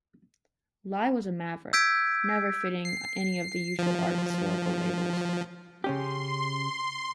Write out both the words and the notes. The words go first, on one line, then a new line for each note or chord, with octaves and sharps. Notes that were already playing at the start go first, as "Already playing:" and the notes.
Lye was a maverick, never fitting any of the usual art historical labels.
E6 G6 G#6 B6 D7
C7
F3
C#3 C#4 G4 C6